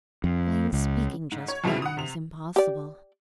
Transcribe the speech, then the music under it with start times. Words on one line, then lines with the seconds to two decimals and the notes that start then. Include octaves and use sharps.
Plain speaking just then was impossible.
0.24 F2
0.73 C#2
1.32 G#2
1.48 C#5
1.64 F2 B2 G3 G#3 E4 F7
1.82 F#5 D#6
1.97 C3 F7
2.56 G4 D5